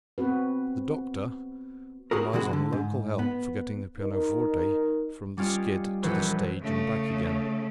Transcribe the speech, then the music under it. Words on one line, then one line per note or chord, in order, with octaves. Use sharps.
The "doctor" relies on local help for getting the pianoforte from the skid to the stage and back again.
B3 C4 F#4 B4
F#4 G#4 A#4
C3 E3 G#3 F#4
D3
G#2
B3
D#4 A#4
G3 C#4 F4 D5 D#5
A#1 E3 C#4 B4 C5 E6
C#3 A3